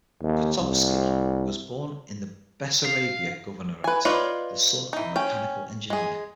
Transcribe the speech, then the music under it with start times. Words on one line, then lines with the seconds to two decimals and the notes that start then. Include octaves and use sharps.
Kotovsky was born in the Bessarabia Governorate, the son of a mechanical engineer.
0.22 D#2
0.59 C2
2.85 F5
3.84 B4 G#5
4.05 D#4 F4 B4 C#5 D5
4.93 E3 D#4
5.16 C#4 G5
5.90 G#3 G#4